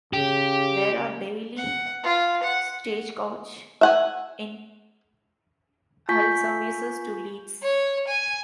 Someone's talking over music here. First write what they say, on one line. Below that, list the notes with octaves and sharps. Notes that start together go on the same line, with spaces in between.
There are daily Stagecoach in Hull services to Leeds.
C#3 G4
F#5
F4
F#5
E5 F#5 G#5
F4 G#5 C#6 G6 B6
C#5
G#5